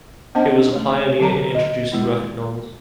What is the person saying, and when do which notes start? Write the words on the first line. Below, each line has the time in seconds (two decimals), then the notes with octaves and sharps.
It was pioneer in introducing graphic novels.
0.35 B3 C#4 D4 C5 D#5 A5
0.72 A3 C#5
1.20 D3 F#3 A5 A#5
1.55 D#5
1.92 G#3 B3 E4